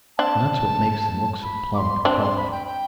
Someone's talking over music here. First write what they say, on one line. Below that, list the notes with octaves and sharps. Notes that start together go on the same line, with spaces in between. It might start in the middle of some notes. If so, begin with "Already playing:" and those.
That's what makes them look so plump and healthy.
C4 D4 A5
B5
D6
C6
C4 D4
C6
B5
G5
G5